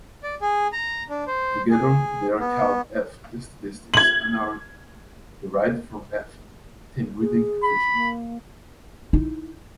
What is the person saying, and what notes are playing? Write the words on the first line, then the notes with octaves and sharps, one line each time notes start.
Together, they are called "F"-statistics, and are derived from "F", the inbreeding coefficient.
D5
G#4
A#5
D4
C5
G#4
B3
G#6 F#7
G#4
B5
A#3
D#4 E4